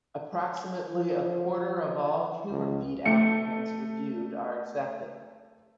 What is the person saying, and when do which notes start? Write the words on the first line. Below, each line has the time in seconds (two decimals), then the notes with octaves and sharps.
Approximately a quarter of all HumorFeed applicants reviewed are accepted.
0.92 F3
2.50 C#2
3.05 A3 C#7